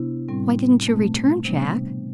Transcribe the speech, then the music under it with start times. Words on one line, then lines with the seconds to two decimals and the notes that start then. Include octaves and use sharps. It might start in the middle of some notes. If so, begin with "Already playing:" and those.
Why didn't you return, Jack?
Already playing: C3 B3 D4 E4
0.29 A2 G3 C4
0.87 B2 A3 C4
1.45 C3 E3 G3 B3 D4